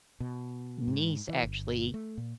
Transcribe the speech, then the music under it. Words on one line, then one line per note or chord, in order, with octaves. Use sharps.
niece actually,
B2
G#2
E3
G1
A3
A#2